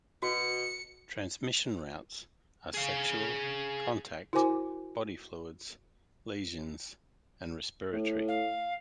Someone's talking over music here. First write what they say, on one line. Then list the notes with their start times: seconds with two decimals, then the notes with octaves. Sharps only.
Transmission routes are sexual, contact, body fluids, lesions, and respiratory.
0.23 B2 F#4 C#7
2.74 G#4 F5
4.33 E4 F#4 A#4 C5 G#5 D6
7.93 A2
8.28 F5